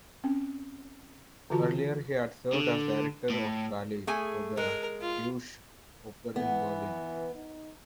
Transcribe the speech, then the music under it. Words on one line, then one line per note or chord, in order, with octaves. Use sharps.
Earlier he had served as director of ballet for the Deutsche Oper in Berlin.
C4 C#4
D3 E3 F4 F#4 A5
D3
A2
A3 G#4 G#5
G#3 A#4
F4
E3 B3
D#4